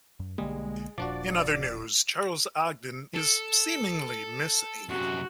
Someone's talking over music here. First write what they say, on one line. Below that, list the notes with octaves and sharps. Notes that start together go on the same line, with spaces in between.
In other news, Charles Ogden is "seemingly" missing.
F#2
B1 D3 G3 G#3 A#3
D#1 A#2 F3 D4 F#4 D5
A4
F#2 C3 F#4